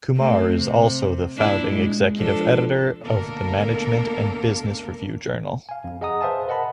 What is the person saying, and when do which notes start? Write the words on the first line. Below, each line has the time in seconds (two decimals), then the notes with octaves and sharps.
Kumar is also the Founding Executive Editor of the Management and Business Review journal.
0.15 A3 C4
0.56 C3
1.36 A#2 D4 E4
1.67 G#3
2.16 F3 D4 A4
3.02 D2 B2 A#3 D4 A4 A#4
5.69 F5 G#5
5.84 F2
6.01 G#4 D#5 F#5 A#5 D#6
6.21 B4 C5 E5 F5 G#5 A5
6.48 A#4 D#5 F#5 A5 B5